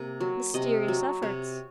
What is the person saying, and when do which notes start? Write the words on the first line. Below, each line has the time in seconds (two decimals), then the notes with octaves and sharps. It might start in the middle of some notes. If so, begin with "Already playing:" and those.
Mysterious efforts!
Already playing: C3 A#3
0.21 F#3
0.54 C3 D#5
0.88 F#3
1.22 C3 C#5